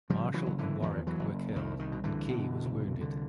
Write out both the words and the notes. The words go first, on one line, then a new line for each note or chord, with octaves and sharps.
Marshall and Warwick were killed and Key was wounded.
C#3 F3 G3
E3 F#3
F#1
D3 E3
E2 D#3 F3
E3 F#3
F#1
C2 D#3
D#3
B2
D3 E3
B2
C2
D3